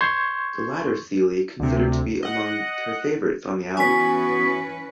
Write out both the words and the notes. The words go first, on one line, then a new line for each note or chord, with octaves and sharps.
The latter Seely considered to be among her favorites on the album.
C6 C#6 G6 G#6
D2 C3
D#5 F#5
E3 B3 C#4 F#4 B4 G#5 B6